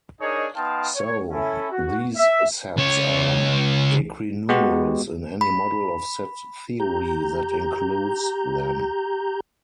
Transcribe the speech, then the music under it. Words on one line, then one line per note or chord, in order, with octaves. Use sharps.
So these sets are equinumerous in any model of set theory that includes them.
D4 D#4 G#4 A#4 C#5 D#5
B3 D#4 F5 G5 A5 C6
C#5
C#4 E4 A4
F#4
E5
C#2 C#5
G#3 B3 F#4 G4
B5
G4 A#5 G6